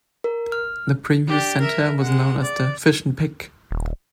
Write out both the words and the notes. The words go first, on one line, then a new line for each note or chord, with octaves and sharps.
The previous center was known as the "Fish N Pic".
A#4
F6
D4 G4
A#4 E5
G#3 F#5
D5
D#1